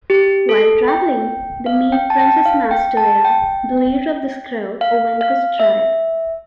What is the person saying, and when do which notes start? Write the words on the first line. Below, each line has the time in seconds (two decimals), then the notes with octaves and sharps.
While traveling, they meet Princess Nastoya, the leader of the Scrow, a Vinkus tribe.
0.10 G4
0.49 A4
0.88 G5
1.66 F5
1.92 G5
2.10 A5
2.20 G5
2.46 F5
2.71 G5
2.97 A5
3.25 G5
4.81 F5
5.21 F5
5.60 E5